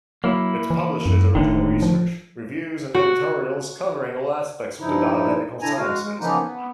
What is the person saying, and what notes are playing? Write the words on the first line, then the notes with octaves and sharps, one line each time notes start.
It publishes original research, reviews, and editorials covering all aspects of the biomedical sciences.
F#3 A#3 E4
E3
F#2
F1 A2 D3 D#3
F3
F#4
G2 F3 D#4 E4
D3 D4 E4 G#5 A#5
G#3 F#4 F5
G#3
C#3 E3 F3 A#3 B3 D#4
B3